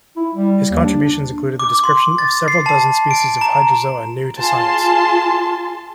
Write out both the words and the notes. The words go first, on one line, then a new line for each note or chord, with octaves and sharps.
His contributions included the description of several dozen species of Hydrozoa new to science.
E4
G3
D#2
D4
D6
C6
A6
C7
A5
D7
A#5
F4 G#4 A5 C6